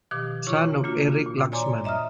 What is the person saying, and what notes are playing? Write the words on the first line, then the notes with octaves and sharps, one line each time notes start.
Son of Erik Laxman.
B2 D#3 F3 G4 D6
E4 F4 C#5 C#6 D6
E3 A#3 D4 F4 F#4
A#2
C#5 D5 G#5 A#5 C6 D6
D#5 E5 A#5 D#6 F6